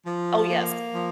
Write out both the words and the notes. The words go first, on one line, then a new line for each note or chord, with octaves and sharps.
Oh, yes.
F3
A#3
F3